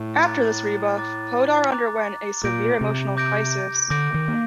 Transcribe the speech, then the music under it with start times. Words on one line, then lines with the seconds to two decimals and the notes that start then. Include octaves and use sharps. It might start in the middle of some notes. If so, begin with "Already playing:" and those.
After this rebuff, Poddar underwent a severe emotional crisis.
Already playing: A2
0.25 A#5 D6 F#6 A6
0.98 A#5 D6 F#6 A6
1.71 A#5 D6 F#6 A6
2.44 A#2 D6 G6 A#6 D7
2.81 C3
3.17 D6 G6 A#6 D7
3.90 D3 D6 G6 A#6 D7
4.14 D#3
4.28 A#3